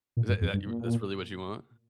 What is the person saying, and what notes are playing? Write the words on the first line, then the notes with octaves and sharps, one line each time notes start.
Is that that that's really what you want?
A#2
G2
F2
G2
A#2